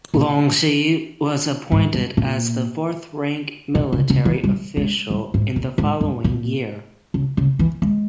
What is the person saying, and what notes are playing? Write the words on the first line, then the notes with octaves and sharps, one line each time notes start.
Longxi was appointed as the fourth rank military official in the following year.
A#2
G#2
G2
A#2
B2
C#3
C#3
E3
G3
G#3
G3
G#2
A#2
G#2
G2
A#2
C#3
C#3
E3
G#3